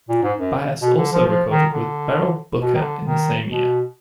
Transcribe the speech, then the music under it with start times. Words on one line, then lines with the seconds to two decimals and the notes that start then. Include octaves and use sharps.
Byas also recorded with Beryl Booker in the same year.
0.09 A#2
0.23 G#2
0.39 F#2
0.82 B2
0.98 D3
1.12 F3
1.27 F3
1.49 D#3
1.71 D3
2.60 B2
2.75 D#3
2.81 D3
3.03 D#3
3.49 B2